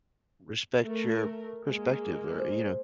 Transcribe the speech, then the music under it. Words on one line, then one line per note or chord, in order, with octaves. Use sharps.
respect your perspective or, you know,
A3 A#4
G#3 A#3
C5